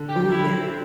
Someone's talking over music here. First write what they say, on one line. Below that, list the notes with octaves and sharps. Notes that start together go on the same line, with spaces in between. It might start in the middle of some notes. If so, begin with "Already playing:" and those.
Ooh, yeah.
Already playing: D3
G4
E4
C4